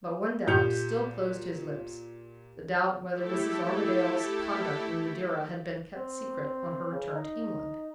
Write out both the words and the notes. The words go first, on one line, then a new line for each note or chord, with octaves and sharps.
But one doubt still closed his lips--the doubt whether Mrs. Armadale's conduct in Madeira had been kept secret on her return to England.
A#2 G4 G6 C#7 F7
A3 E4 G4 A4
C4
C#3
D#4